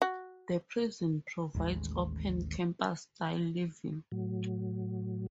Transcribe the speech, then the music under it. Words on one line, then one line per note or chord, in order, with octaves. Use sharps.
The prison provides open campus-style living.
F#4
A1 D#2 G#3
A2 F#3